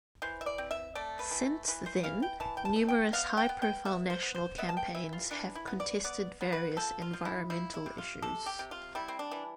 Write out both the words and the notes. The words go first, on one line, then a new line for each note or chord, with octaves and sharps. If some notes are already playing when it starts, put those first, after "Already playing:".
Since then numerous high profile national campaigns have contested various environmental issues.
E3 C5
E5
D5
C4
E5
A3 D5
B4
E3
E3 B4
C5
E3 F5
G5
E3 A5
G5
A5
A3
G5
B3 F5
G5
B3
G5
B3 E5
C5
B3
C5
B3 E5
A5
G5
E3 E5
F4
E3 D4
E4
B3
D5
B3 D5
B3
B4
F3 A4
F4
F3
E4
F3 E4
E4
C3
F4
C3 A4
G4
C3
F4
G3 E4
C4
D4
E3